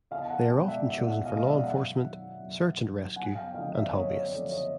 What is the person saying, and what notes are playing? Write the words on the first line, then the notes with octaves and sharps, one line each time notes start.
They are often chosen for law enforcement, search and rescue, and hobbyists.
E2 D#5 F5
A5
F#5 G#5
B2 G#3 G5 A5
D5 E5
E2 D5 E5
E5 F#5
B2 G#3 D#5 F5
F5
D5 E5
F#2 E5 F#5
D#3 F#3
F#2
D#3 F#3
F#2 F#5 G#5
F5 G5
D3 F3 A3 C4 D#5 F5
D5 E5
F#2 C#5 D#5
C#5
D3 F3 A3 C4 D5
C#5 D#5